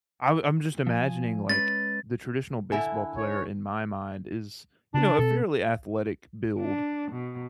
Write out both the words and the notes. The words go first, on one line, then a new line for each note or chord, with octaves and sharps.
I'm I'm just imagining, like, the traditional baseball player in my mind is, you know, a fairly athletic build,
F3 G#5
G#3 C#4 B4 A6
D3 E4 E5 G#5
C#5
C#3 D4
B2 C4 A4
D4
B2